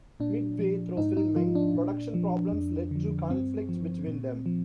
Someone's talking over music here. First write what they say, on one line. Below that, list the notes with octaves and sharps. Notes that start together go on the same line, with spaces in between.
Mid-way through filming, production problems led to conflict between them.
A#2 D4
F3
G#2 D#4
D#4
F3 F4
D4
A#2
F3
F2
D3 F3
G2 C4
F3
A#2
F3